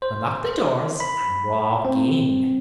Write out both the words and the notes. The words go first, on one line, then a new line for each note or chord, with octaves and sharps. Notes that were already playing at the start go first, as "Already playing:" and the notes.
Unlock the doors and walk in.
C5
B5
C4